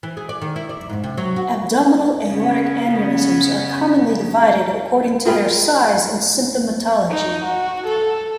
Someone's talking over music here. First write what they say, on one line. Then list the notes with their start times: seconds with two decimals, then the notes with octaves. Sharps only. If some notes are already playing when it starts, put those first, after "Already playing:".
Abdominal aortic aneurysms are commonly divided according to their size and symptomatology.
0.03 E3
0.17 G#4
0.29 D5
0.42 D#3
0.56 E4
0.69 D5
0.89 G#2
1.04 C3
1.18 F#3
1.36 F#4
2.26 C#3 B3 C#4
5.25 F4 G#4 A#4 G5 B5 F6
7.09 D#4
7.45 F#4
7.86 A4